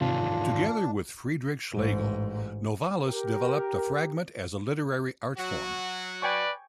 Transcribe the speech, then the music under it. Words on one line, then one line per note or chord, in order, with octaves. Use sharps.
Together with Friedrich Schlegel, Novalis developed the fragment as a literary artform.
E2 G#2 C3 D#3 D4 F4
A1 G#2
G4 A#4
F#3 F#4
B4 D5 G5 G#5 C#6